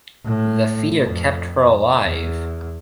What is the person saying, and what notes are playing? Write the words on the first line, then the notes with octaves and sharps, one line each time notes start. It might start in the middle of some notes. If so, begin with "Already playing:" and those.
The fear kept her alive.
A2
F2
E2